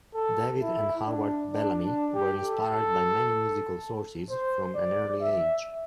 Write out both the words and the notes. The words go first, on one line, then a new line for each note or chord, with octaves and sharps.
David and Howard Bellamy were inspired by many musical sources from an early age.
A4
E4
D4
D4
D4
G4
A4
C5
D5
E5